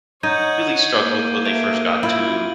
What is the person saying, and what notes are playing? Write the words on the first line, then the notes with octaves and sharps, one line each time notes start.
really struggled when they first got to
D#4 C#5 F#5 G6 G#6 D#7
A#3
A3 D7
E4 F4 F#7